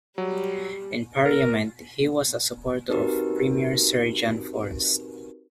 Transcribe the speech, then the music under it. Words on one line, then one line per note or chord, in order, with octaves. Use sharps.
In parliament, he was a supporter of Premier Sir John Forrest.
F#3 G3
A#4
C4 D#4 F#4 G4 A#4 B4